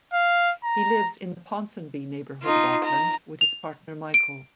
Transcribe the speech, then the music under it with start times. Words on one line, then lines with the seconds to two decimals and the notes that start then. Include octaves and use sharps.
He lives in the Ponsonby neighborhood of Auckland with his partner Michael.
0.13 F5
0.64 A#5
2.43 D#4 F4
2.84 A#5
3.41 F7
4.14 D7